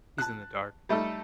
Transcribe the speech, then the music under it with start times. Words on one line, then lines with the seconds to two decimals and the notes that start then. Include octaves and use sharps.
He's in the dark, yeah.
0.18 A5 F#6
0.89 G3 A3 D#4 A4